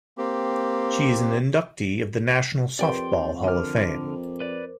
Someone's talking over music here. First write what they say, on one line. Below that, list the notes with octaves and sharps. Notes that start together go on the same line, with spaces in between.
She is an inductee of the National Softball Hall of Fame.
A#3 C4 G4
F2 G4 A#4 B4 D5 G5 C6
D3 A#4 C5 D6 F6
B4 D5